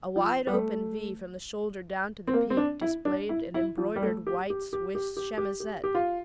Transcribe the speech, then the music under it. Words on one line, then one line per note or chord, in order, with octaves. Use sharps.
A wide open V from the shoulder down to the peak displayed an embroidered white Swiss chemisette.
F3
G3
A3
C4
A#3
C4
D4
E4
D4
E4
E4
F3
G3
A3
G4
G4
G4
G4
G4
G4
G4
G4
F4